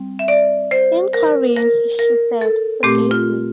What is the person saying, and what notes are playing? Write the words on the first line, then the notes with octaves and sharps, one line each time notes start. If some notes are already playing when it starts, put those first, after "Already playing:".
In Korean, she said, Forgive me.
Already playing: G3 C4
E5
D5
C5
A#4
A#4
A#4
A4
A#2 A3 C4 G4
F4